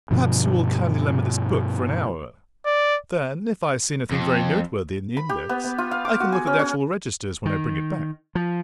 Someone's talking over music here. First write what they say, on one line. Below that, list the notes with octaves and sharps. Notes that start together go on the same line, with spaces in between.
"Perhaps you will kindly lend me this book for an hour?--then, if I see anything very noteworthy in the index, I can look at the actual registers when I bring it back."
G2 B2 D3 F3
D5
F2
B5
G4
B3
B3
F4
F5
D6
F#4
G#4
C#4
C#4
D#3
F3